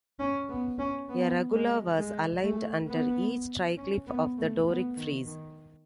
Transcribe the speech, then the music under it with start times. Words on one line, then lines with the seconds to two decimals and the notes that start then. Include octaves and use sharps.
A "regula" was aligned under each triglyph of the Doric frieze.
0.19 C#4
0.49 B3
0.79 C#4
1.09 B3
1.53 G#3
1.98 G#3
2.42 A3
2.87 B3
3.77 C#4
4.07 B3
4.37 A3
4.67 B3
4.97 D#3
5.26 D#3